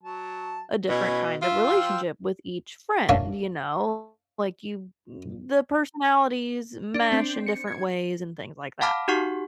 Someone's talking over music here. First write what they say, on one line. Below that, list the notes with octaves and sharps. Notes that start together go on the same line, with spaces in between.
a different kind of relationship with each friend, you know? Like, you the personalities mesh in different ways and things like that.
F#3 A5
B2 C#4 E4 G#5
F4 E5
F3 G5 E6
A#3 C#4 D4 C#5 E5 F5
D4
C4
C#7
G#6
F5 F#5 A5 B5 D6 F6
D#4 F#4 G4 F#5 C#6